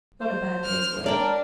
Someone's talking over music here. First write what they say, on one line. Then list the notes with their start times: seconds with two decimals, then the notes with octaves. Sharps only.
"Not a bad day's work."
0.21 C5
0.64 F6
1.06 D4 A#4 D5 G5